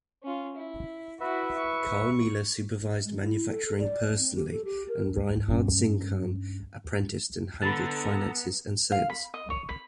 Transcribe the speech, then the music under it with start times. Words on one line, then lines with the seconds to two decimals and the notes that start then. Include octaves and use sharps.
Carl Miele supervised manufacturing personally, and Reinhard Zinkann apprenticed and handled finances and sales.
0.23 C#4 F4
0.56 E4
1.20 E4 F#4 B4 E5
1.57 C#6
3.06 G#3
3.21 E4
3.50 A4
3.66 A4
3.79 D5
4.19 C4
4.35 G4
4.51 A4
4.65 G4
4.89 A#4
5.48 G2 C#4
7.62 D3 B3 A4 A#5 B5 A6
8.92 F5
9.10 B5
9.34 D#5
9.50 C#5
9.69 B5